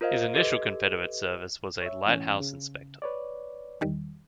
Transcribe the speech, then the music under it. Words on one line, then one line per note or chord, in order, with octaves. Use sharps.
His initial Confederate service was as a lighthouse inspector.
F4 A#4 C5 D#5 F5
G4 A4 B4 D#5
C#5 E5
A2 E3 C#4
C#3
B4 C#5 D5
E2 D#3 G3